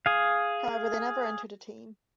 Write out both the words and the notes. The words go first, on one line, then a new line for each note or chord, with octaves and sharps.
However, they never entered a team.
G#4 F5